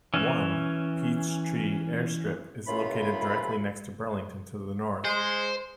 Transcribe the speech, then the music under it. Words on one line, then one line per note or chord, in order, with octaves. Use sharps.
One, Pietschtree airstrip, is located directly next to Burlington to the north.
E3 C#4
C#2 F#2 C#3 E3 F4 B5
G#3 C5